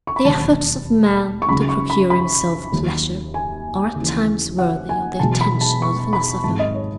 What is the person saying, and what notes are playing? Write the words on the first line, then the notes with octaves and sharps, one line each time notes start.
The efforts of man to procure himself pleasure are at times worthy of the attention of the philosopher.
C#6
B5
E1 D#2 D#3 F#3 A5
C#6
C#2 C#3 F#3 B5
C#6
B5
B5
D#2 D#3 F#3
G#5
D#2 C#3 E3
F#5
G#5
E1 E2 B2 F#3 A5
B5
A5
C#6
B5
G#1 G#2 D#3 F#3 A5
D#5
C#5